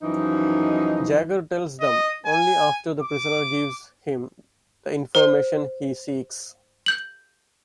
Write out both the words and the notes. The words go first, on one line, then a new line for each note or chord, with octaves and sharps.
Jagger tells them, only after the prisoner gives him the information he seeks.
F#2 E3 F3 D#4
D#5
G#5
D6
C5
G6 F#7